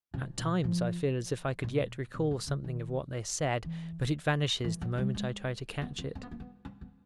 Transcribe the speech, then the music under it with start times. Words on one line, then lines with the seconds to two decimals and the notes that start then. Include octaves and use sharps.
At times I feel as if I could yet recall something of what they said, but it vanishes the moment I try to catch it.
0.14 C3
0.38 B2
0.64 F3
1.64 B2
2.14 B2
2.31 C3
2.47 C#3
2.64 D#3
3.65 E3
4.64 E3
4.81 F#3
4.98 G3
5.15 G#3
5.82 B3
5.99 C4
6.15 C4
6.23 B3
6.31 A#3
6.40 B3
6.65 C4
6.81 B3